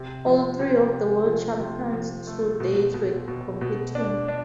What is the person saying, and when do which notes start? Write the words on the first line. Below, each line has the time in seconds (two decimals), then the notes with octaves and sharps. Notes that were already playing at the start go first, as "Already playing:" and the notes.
All three of the World Champions to date were competing.
Already playing: C3
0.26 F3
0.60 C3
0.93 C3
1.26 F3
1.60 C3
1.93 F3
2.27 A3
2.60 B2
2.94 B2
3.28 B2
3.61 B2
3.95 D4
4.28 D4